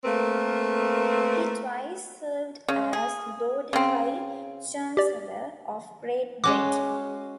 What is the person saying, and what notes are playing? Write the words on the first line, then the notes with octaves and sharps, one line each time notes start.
He twice served as Lord High Chancellor of Great Britain.
A3 A#3 C4 A#4 B4
C#3
G#4
C#3 C4
G4 D5
G#3 C#4 F#4 D6